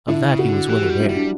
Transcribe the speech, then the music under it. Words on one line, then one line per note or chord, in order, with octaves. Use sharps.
Of that he was well aware.
D3 E4
C#3
F#4
D3
E3 G4
G3 F#4
E4
G3
D4